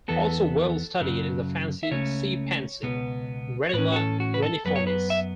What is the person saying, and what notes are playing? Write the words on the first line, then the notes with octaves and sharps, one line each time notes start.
Also well studied is the fancy sea pansy, "Renilla reniformis".
E2 E3 B3 A4
F#2 C#3 F#3
E5
C#2 C#3 A3 C#4 C#5
C#2 B2 B3
C#5
A2 E3 C#4 B4
F#4
A4
F#4
B4
A4
F#2 F#3 B3 B4
C#5
B4
E5